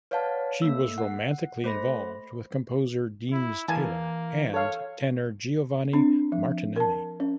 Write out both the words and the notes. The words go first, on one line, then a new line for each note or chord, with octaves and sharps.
She was romantically involved with composer Deems Taylor and tenor Giovanni Martinelli.
B4 C#5 D5 F5 F#5 A5
A3 A#3 E6
F#5
A3 C5 B5 A#6
E4
E3 A#3 G#5 A5
A4 C#5 F5
C4 D4
F3
A#4 A5
C#4